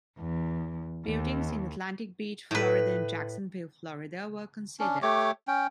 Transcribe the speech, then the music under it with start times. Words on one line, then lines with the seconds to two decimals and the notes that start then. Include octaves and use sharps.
Buildings in Atlantic Beach, Florida and Jacksonville, Florida were considered.
0.16 E2
1.04 D#2
2.51 A2 B4
4.80 C#4 D4
5.02 A3 G4 C#5 D6
5.48 C#4 G5